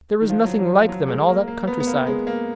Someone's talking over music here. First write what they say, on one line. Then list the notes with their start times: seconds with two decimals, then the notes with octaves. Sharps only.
There was nothing like them in all that countryside.
0.21 D#3
0.30 F3
0.45 F#3
0.59 F#3
0.74 F3
0.89 F#3
1.08 G#3
1.29 A#3
1.48 A#3
1.67 B3
1.80 B3
1.87 A#3
2.07 G#3
2.27 A#3